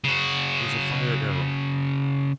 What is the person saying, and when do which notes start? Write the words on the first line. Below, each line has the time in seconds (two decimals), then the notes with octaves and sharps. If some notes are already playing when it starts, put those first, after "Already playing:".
It was a fire-arrow.
0.04 C#3 F#4